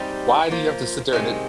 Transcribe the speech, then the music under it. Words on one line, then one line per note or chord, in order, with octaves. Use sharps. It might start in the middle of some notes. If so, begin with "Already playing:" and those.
Why do you have to sit there and then
Already playing: G#2 G3 C4 D#4 G4
F3 A#3 F4
C3 D#3 G#3